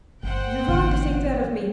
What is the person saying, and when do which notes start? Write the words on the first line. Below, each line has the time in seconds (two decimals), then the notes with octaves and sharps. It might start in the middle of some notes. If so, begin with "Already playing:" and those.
You're wrong to think that of me...
0.23 G1 C5 F#5 G5
0.68 G#1 A#2 D3 E3